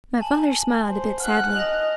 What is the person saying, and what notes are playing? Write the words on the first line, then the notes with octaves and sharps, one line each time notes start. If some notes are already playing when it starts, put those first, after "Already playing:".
My father smiled a bit sadly.
G#5 A5 F#7
C5
F#5 F6 F#6
D#5 A#6 F7